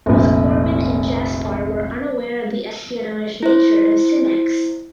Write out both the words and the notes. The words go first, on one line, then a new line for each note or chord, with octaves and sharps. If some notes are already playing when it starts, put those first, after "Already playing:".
Both Corbin and Jaspar were unaware of the espionage nature of Simex.
F1 A#1
E4 C5